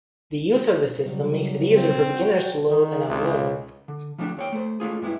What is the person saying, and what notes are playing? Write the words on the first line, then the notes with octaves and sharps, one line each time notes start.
The use of this system makes it easier for beginners to load and unload.
C#3 F#3 G3
C4
F#4 G5
D#3
C#2
D3
F3 G3 A3 C4 D4
D#2 C#5 G5
A3 C5
G#3 A3 F4 G#4
G2 G#3 B3 E4